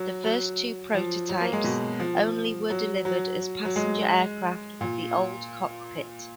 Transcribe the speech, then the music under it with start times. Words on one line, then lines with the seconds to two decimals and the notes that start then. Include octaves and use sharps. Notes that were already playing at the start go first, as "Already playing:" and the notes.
The first two prototypes only were delivered as passenger aircraft with the old cockpit.
Already playing: F#3
0.24 F#3
0.94 F3
1.29 F#3
1.41 A#3
1.53 G#3
1.64 B2
1.99 F3
2.70 F#3
3.05 F#3
3.65 F#3
3.76 G#3
4.81 A#2